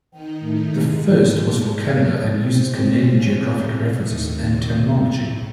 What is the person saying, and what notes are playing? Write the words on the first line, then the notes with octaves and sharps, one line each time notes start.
The first was for Canada and uses Canadian geographic references and terminology.
D#3 D#4
A2 A3
G#2 G#3
G#2 G#3
C3 C4
C#3 C#4
C3 C4
A2 A3
D#2 D#3
C3
C3
A2